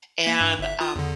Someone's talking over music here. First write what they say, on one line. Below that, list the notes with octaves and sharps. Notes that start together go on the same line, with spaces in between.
and, um,
A#3 B6
G2
G1 E5
F4 D#6
E2 D3